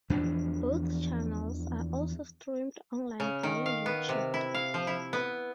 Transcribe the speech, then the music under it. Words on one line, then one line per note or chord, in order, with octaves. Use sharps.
Both channels are also streamed online via YouTube.
E2 E3 F3 D4
C#3
D#3
F5
B3
C3
E4
F5
F3
E4
B3